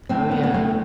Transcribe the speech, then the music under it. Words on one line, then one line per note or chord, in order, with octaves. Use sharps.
Oh, yeah.
A2 C4
B3
B3
A3 C4